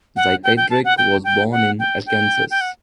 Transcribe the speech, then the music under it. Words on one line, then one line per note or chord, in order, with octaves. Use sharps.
Zeichiedrich was born in Arkansas.
F#5
G5
G5
A5
F#5
G5
G5
F#5
G5
G5
G5
F#5